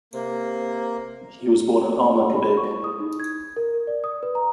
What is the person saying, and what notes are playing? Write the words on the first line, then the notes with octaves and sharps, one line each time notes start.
He was born in Alma, Quebec.
C3 A#3
B5
C#6
E4
D#6
D#4
G#6
A#4
D5
D#6
B4
A#5